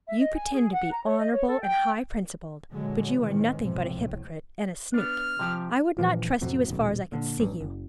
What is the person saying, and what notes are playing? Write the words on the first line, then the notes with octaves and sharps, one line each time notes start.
You pretend to be honorable and high-principled, but you are nothing but a hypocrite and a sneak. I would not trust you as far as I could see you.
E5
D#5
G#5
G#4
F#5
A#5
C#5
D#5
C#5
A4
G5
A#2 D3 F#3 G#3
A2 C3 D#3 E3 G#3
B1 G#2 C3 F3
C2 A2
B3 D4 F6
C3 F3 G4
G2 A#2 E3 F3
F2 A2 C3 F#3
D#1 B1
A#2 D3
A1 G2
F#1